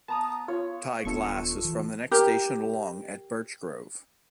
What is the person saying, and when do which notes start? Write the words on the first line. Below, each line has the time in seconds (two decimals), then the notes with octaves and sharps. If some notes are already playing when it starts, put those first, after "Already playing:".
Ty Glas is from the next station along at Birchgrove.
0.08 B3 A5 A#5 D#6
0.48 F4 C#5
1.05 D#1 B3 D4 F4 A4 E5 C#6
1.64 E3
2.11 G4 A#4